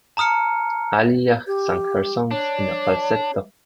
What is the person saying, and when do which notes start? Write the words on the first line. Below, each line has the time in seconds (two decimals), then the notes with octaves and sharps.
Aaliyah sang her songs in a falsetto.
0.17 A5 A#5 D#6 F6 C#7
1.47 G4
2.31 D4 C#5